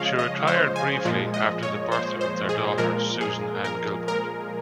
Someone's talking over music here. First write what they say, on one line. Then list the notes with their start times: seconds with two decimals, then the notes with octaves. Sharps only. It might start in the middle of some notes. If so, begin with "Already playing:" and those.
She retired briefly after the birth of their daughter Susan Ann Gilbert.
Already playing: C#3 F3 G#3 C#5 D#5 F5
0.19 D#5
0.47 C5
0.76 G#5
1.05 A#2 F3 G#3
1.34 D#5
1.63 C#5
1.92 C5
2.21 C5
2.49 G#4
2.78 A#2 F3 G#3 A#4
3.21 G#4
3.65 A#4
4.08 A#4